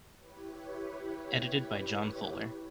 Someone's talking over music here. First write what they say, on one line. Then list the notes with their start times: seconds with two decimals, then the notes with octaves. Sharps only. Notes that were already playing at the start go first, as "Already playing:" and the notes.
Edited by John Fuller.
0.18 E4 G4 B4 C#5